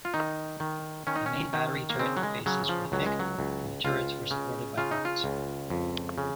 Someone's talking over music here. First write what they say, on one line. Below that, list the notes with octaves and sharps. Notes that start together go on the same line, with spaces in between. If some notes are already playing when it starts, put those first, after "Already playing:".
The main battery turret faces were thick, and the turrets were supported by barbettes.
F4
D#3 D#4
D#3
D#3 C#4
D#4
C#4
D#3
A#3
C#3 C4
F#3
G#3
C#3 F#3
F3
C#2 F#3
G#3
F#3
C#2
C#2 F4
C#3
C#3 F4
D#4
F4
C#2
F2
C#3